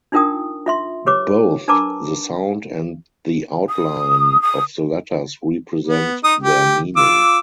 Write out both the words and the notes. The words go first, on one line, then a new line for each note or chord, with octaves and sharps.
Both the sound and the outline of the letters represent their meaning.
D4 D#4 F4 A#4 G5 D#6
F4 E5 C6
G4 B4 C#5 D6
D4 A#4 B4 A5 A#5 D6
D#6
D#6
B3
D#4 D#6
G4
F4 D6 E6